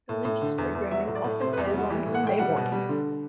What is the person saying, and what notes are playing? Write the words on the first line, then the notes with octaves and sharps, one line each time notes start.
Religious programming often airs on Sunday mornings.
A2
A2
D3
E2
E2
F#3 E5
A2
D5
A2
C3 C5
B4
E2
G4
G3 F#4
E3 G4
A2
F#5
A2 G5
G3 F#5
B2
G3
D3